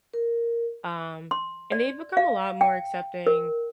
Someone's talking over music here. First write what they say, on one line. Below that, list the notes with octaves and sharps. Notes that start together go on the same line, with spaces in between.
um, and they've become a lot more accepting
A#4
C6
D5
F5
G5
A#4